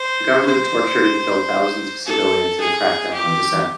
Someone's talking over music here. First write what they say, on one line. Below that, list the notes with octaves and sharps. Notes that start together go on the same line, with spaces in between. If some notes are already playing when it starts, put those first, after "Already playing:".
The government tortured and killed thousands of civilians in a crackdown on dissent.
Already playing: C5
C5
A4
G#4
G4